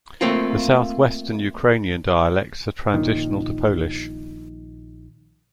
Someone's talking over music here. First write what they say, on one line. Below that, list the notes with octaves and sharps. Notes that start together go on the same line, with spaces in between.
The southwestern Ukrainian dialects are transitional to Polish.
A3 A#3 C4 F4
A#1 A#2 D#3